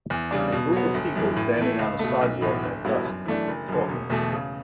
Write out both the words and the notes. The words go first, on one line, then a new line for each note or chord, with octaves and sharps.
A group of people standing on a sidewalk at dusk talking.
E2
C#3 G3 D4
B2
F#3 B3
G1
F#2 E3
A2
E3 A3
C#2
B2 A3
B1
A2 E3 B3 F#4
G1
G2 F#3 B3 E4
F#2
E3 A3 D4
F#1
F#2 D3
E1
E2 B2 A3
C#3